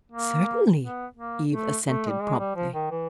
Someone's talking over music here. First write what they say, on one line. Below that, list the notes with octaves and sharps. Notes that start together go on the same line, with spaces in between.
"Certainly!" Eve assented promptly.
A#3
B3
A#3
A3
A3
G3
G#3
G3
F3
D#3
E3